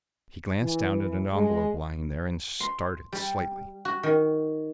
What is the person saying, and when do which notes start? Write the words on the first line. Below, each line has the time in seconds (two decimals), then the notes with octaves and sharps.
He glanced down at an envelope lying there, and started slightly.
0.61 E3
1.32 G#3
2.60 C6
3.12 G3
3.85 F#4
4.03 D#3